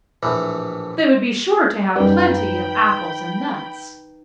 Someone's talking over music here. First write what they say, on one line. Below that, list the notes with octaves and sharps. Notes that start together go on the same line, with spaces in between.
They would be sure to have plenty of apples and nuts.
A#1 A2 E3
F#2 G3 D#4 B4 G5 B5